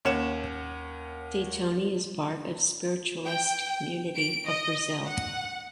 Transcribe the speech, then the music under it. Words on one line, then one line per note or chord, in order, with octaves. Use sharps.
De Toni is part of spiritualist community of Brazil.
D#2 C#4 C#5 F#5 E7
G5
D7
D#5
F#5